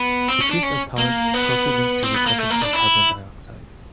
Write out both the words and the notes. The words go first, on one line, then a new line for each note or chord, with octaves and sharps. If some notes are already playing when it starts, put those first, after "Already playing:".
Decrease of tolerance is closely linked to retention of carbon dioxide.
Already playing: B3
C4
C#4
D4
C#4
A#3
B3
C4
B3
A#3
A3
A#3
D4
E4